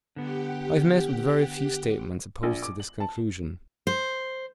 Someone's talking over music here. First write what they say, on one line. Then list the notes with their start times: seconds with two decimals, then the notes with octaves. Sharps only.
I have met with very few statements opposed to this conclusion.
0.16 D3 B3 G4 F#5
2.43 A#1
2.62 D6
2.80 F#7
3.00 A5
3.87 C5